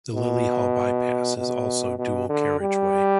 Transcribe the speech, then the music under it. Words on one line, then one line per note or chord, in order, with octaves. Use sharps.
The Lillyhall bypass is also dual carriageway.
B2
B2
B2
D3
G3